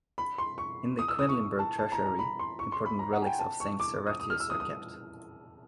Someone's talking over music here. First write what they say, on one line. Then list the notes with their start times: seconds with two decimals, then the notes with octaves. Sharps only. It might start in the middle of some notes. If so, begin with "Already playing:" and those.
In the Quedlinburg Treasury important relics of Saint Servatius are kept.
0.18 B5
0.38 C6
0.58 C#6
0.99 D#6
1.08 E6
1.19 D#6
1.29 C#6
1.59 A5
1.79 A5
1.92 A#5
2.06 A#5
2.19 B5
2.39 C6
2.59 C#6
2.72 C6
2.86 B5
2.99 A#5
3.13 F#5
3.22 G#5
3.26 G5
3.39 A5
3.60 C#6
3.80 D6
4.07 D#6
4.20 D#6
4.30 F6
4.40 E6
4.50 D#6
4.60 D#6